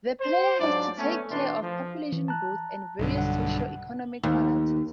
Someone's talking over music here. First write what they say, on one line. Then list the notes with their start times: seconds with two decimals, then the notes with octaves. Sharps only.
The player has to take care of population growth and various socio-economic balances.
0.20 C5
0.59 G#2 F#3 D4 F4 D5
0.97 A3 B3 C#4
1.30 B2 E3 A3 D4 D5 C6
1.62 F3
2.12 E3
2.28 A5 A#5 F#6
2.99 B1 G2 D3
3.18 F#5
4.23 D#2